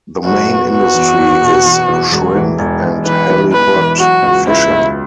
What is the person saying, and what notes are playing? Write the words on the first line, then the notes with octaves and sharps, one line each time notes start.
The main industry is shrimp and halibut fishing.
F#1 F#4
B3
B3 F#4
E2
E2
B2
E2
E2
E1
E3
E1
E1
E3 B4
E3
E2 B4
E3
F#3 F#4
C#2
C#2 E4
C#2